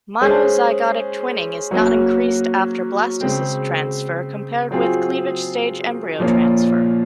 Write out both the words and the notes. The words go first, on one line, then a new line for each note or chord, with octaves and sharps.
Monozygotic twinning is not increased after blastocyst transfer compared with cleavage-stage embryo transfer.
G#3 C#4 G#4 C5
F#3 A#3 C#4 F#4
C#3 G#3 C4
F#3 C4 F4 G#4
A#2 F3 A#3 C#4 F4